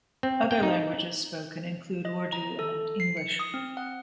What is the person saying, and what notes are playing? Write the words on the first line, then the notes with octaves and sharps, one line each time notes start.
Other languages spoken include Urdu and English.
C4
G5
D#4
D#5
A#5
A4
C7
C#7
D#6
C4
F#5